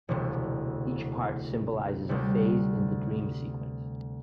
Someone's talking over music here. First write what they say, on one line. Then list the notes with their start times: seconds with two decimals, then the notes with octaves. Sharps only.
Each part symbolizes a phase in the dream sequence.
0.09 E1 D2 C3
2.09 D2 C3 G3